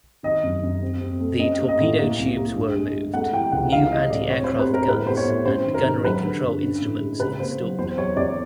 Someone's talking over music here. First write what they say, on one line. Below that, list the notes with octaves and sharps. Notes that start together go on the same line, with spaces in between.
The torpedo tubes were removed, new anti-aircraft guns and gunnery control instruments installed.
D#3 D#5
F#2
F#2
C4
C4
A3
C#4 D#5
A#3
D#5
A2
A#3
C2
A#3
G2
G#3
G#3
A3 F#5
E3 G5
C#2 F#5
E3 F5
E3 D#5
A2 D5
C4 C#5
C5
C4
B4
G#3
A#4
A2 B4
B3 C5
C#5
A2
C#4 C5
D#3
A#4
G#2
F#3 B4
D3
G2
C#4
A2
G#3
C#3 B4
A#3 C5
F#3
E2 C5
F#3 C#5
E2 D5